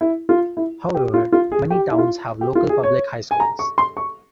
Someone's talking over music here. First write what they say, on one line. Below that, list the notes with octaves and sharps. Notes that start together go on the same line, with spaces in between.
However, many towns have local public high schools.
E4
F4
E4
G4
F4
F4
G#4
G4
E4
F4
G4
F4
G#4
C#5
G#5
A#5
C#6
C6
C#6